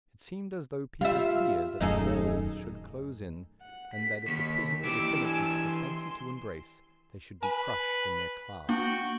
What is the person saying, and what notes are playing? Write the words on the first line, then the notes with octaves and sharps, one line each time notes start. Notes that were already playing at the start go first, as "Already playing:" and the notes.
It seemed as though people feared that the walls should close in, and that if the prison or the cemetery took a fancy to embrace, they should be crushed in their clasp.
G3 F4 E5
D#1 F#2 A3 D#4 G#4 A4
F#5
B6
D#2 B6
E3 G4 D6 E6
G#5 E6
C6
B4 G#5
A#3 D4 F#4 G5